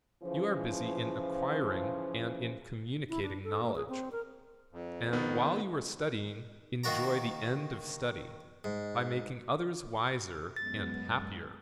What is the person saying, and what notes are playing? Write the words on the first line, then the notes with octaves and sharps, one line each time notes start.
You are busy in acquiring and in communicating knowledge, and while you are studying, enjoy the end of study, by making others wiser and happier.
C#3 E3 F3
E4
D4
A4
A#3
G#4
C4
A#4
F2
D#3 B3
D#3 A#3 F#4 D5 A#5
G#2
F#2 G#3 B3 A6